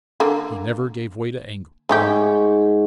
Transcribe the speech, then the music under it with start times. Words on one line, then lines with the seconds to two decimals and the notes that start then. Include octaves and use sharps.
He never gave way to anger.
0.20 D3 A#3
1.89 G#2 A3 D#4 G4 C#6